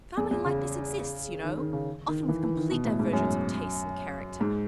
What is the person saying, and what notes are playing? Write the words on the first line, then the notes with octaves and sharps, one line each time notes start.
'Family likenesses exist, you know--often with complete divergence of tastes and character.'
E2
E2
C#3
D#3
D#3
C#3
D#3
E3
E3
D#3
B2
A2
G#2
F#2
G#2